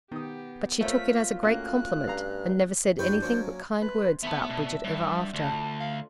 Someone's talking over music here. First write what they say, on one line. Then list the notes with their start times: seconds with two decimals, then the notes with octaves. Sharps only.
But she took it as a great compliment and never said anything but kind words about Bridget ever after.
0.12 D#3 B3 G4 D#6
0.81 A3 F4 A#4 C5 C#5 E5 B6
1.43 A3 A#3 C#4 F#4 F#6
2.07 G2 F5 A#5
2.99 F#2 C4 D4 E4 F#4 G4 B4 G6
3.22 F#3 A#3 C#4 C5
3.82 C3 B4
4.23 A3 B3 C4 E5 B5
4.49 B2 D4
4.84 G2 E4 F#5
5.33 D2 F4 A4
5.80 F5